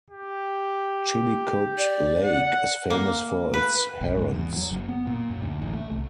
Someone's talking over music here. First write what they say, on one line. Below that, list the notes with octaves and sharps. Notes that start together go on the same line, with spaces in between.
Chillicote lake is famous for its herons.
G4
D5
F#5
A#3
B4
B1
G#2
E2
F#3
F#1
B3
A#2
F#2
D2
A1
A3
C2